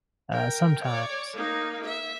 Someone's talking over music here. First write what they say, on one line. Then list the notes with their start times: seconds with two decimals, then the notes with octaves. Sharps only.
uh, sometimes.
0.31 A#4 G5
0.83 C#5 D5
1.33 A#3 D#4
1.84 E5